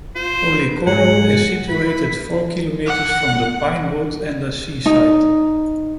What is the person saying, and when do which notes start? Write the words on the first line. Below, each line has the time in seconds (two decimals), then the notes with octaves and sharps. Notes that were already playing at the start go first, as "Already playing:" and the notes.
Policoro is situated four kilometers from the pinewood and the seaside.
0.15 F4 C5
0.60 B4
0.87 G#2 G#3 F#5 G#5
1.69 E4 B4 B5
2.87 F#5
4.86 D#4